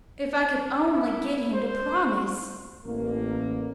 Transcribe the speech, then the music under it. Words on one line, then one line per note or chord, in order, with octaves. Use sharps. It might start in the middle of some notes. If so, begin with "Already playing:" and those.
"If I could only get him to promise!"
E4
C5
A1 A#3